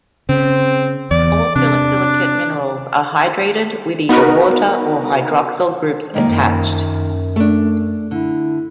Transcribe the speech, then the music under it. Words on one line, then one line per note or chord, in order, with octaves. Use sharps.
All phyllosilicate minerals are hydrated, with either water or hydroxyl groups attached.
C#3 C4
E2 D5
C3 D4
B3 D#4 F#4 A#4 B4
F2 D#3 G#3 A#3
F#2
A3 D4
D3 E4